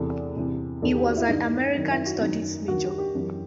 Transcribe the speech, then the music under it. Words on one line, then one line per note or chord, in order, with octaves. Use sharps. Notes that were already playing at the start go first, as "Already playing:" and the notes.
He was an American Studies major.
Already playing: E2 C3 E3 A4
E2 C3 E3
E2 D#3 A4
G4
F#4
E4
G2 D#3 D#4
F#2 D#3
E4
F#4
F#2 D#3 D#4
D#2 D#3 F#4
G4
G4
F#2 E3